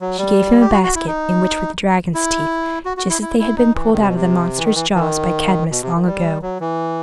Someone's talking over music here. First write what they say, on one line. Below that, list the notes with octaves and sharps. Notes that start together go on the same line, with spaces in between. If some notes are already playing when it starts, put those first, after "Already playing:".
She gave him a basket, in which were the dragon's teeth, just as they had been pulled out of the monster's jaws by Cadmus, long ago.
F#3
G3
G4
F#4
F#4
E4
D#4
E4
F#4
F#4
E4
E4
E4
D#4
E3
D#3
C3
B2
C3
E3
D#3
E3
E3
D#3
B2
C3
D#3
G3
F#3
E3